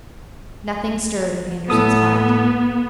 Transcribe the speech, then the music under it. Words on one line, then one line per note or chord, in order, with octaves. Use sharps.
Nothing stirred in Andersen's heart.
A2 B3 A4 D#6